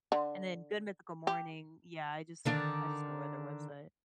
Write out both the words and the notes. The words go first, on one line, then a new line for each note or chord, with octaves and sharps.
And then Good Mythical Morning. Yeah, I just I just go by their website.
D3
G4
D3 D#3 D4